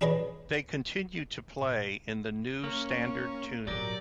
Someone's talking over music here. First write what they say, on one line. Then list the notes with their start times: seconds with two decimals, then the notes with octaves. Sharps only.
They continue to play in the New Standard Tuning.
0.01 D4 G#4 B4 C#5 D#5
2.64 A#3 C#4
3.67 G#1 A#2 F#3 G4 A#4 D5